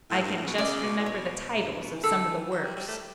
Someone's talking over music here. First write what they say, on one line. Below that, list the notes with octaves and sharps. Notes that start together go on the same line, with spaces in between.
I can just remember the titles of some of the works.
A2
G2
A2
C#3
B2
C#3 D5
B2
A2
B2 C#5
G2
B2
E3
D3 A4
E3
F#3
G3
G3
A3